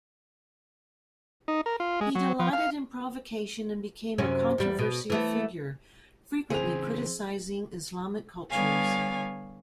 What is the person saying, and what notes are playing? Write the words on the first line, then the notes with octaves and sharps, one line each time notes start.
He delighted in provocation and became a controversial figure, frequently criticizing Islamic cultures.
D#4
A#4
F4
G#3
F#3
F3
F5
F#2 C3 C#4
E2 G3
B2
E3 A3 B3
C#3 E3 C4 G#4 F7
D3 G3 B3 C#5 F5 G#5